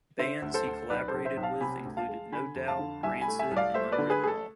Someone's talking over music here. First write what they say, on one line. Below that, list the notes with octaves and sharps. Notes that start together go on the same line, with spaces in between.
Bands he collaborated with included No Doubt, Rancid and Unwritten Law.
D3 C5 E5
D2
A4 C5
D2
B1 B4 D5
A4 C5
B1
C5 E5
B1
F5 A5
C3 G#5 B5
D2
F5 A5
G#3
D3 G#5 B5
F2
F5 A5
D3
C2 E5 G#5
G#5 B5
A3
E5 G#5
C2
D5 F5
A3 C5 E5
B4 D5
D3
G#4 B4
A3 G#4
A4